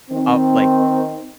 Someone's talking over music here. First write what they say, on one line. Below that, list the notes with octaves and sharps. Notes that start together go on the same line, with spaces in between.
up like,
D#3 C4